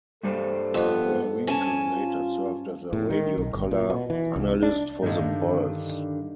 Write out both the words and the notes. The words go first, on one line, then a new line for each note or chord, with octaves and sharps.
Boerwinkle later served as a radio color analyst for the Bulls.
G2 G3 A4 C5
F2 B3
C#4 G#5 A5
F4
A2
D#3
B1
G1
A#2
B2
E3
C2
D4
G2 B2 D3 D#3 D#4